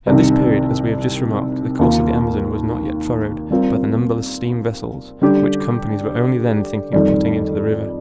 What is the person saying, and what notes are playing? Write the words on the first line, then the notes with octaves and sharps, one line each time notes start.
At this period, as we have just remarked, the course of the Amazon was not yet furrowed by the numberless steam vessels, which companies were only then thinking of putting into the river.
C2 C3 D#3
D#2 D#3 A#3 F4
G3 C4 F4 A#4
D3 G3 D4 G4 D5
F2 D#3 G3